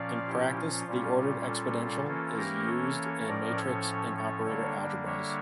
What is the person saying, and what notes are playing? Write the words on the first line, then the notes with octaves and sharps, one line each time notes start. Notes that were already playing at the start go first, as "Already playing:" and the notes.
In practice the ordered exponential is used in matrix and operator algebras.
Already playing: A#2 F3 C#4 D5 F5
E4 G4
F4
A#2 G3 C#4
F4
F4 A4
E3 A#3 C#4
G4 A#4
A4 C#5
A2 F3 C#4 A#4 D5
A4 C#5
A4 C#5
D3 G3 A#3 D4 A4 C#5
C#5 E5